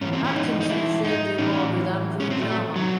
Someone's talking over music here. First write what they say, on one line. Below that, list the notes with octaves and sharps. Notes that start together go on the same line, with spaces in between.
Atkinson shared the award with Andrew Jarman.
G#2 E3 C#4
C4
C#4
D#4
D#4
E4
D#4
A2 E3 C#4
C#4
C4
A3
D#3 F#3